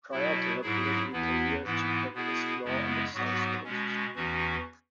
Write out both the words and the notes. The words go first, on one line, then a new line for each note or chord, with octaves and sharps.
Prior to her political career, she practiced law on the South Coast.
B2 F#3 E4
G#2 F#3 E4 G#4
E2 E3 B3 E4
G#2 E3 B3 E4
B2 B3 E4 G#4
F#2 C#3 G#3 B3 E4
G#2 F#3 B3 F#4
B2 G#3 C#4
E2 E3 C#4 F#4